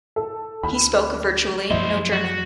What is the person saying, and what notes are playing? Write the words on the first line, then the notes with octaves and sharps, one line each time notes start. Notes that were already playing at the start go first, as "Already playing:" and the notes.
He spoke virtually no German.
A4
D2 B5
F#2 F3 A#3 E4 C5 D#5
F#4